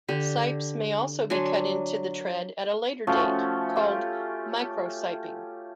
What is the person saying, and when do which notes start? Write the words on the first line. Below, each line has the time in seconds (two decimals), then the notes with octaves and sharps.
Sipes may also be cut into the tread at a later date, called "microsiping".
0.08 D3 G4
1.30 F#3 D4 G#5 C6
3.07 F3 A3 C#4 F#4
3.76 F4 G4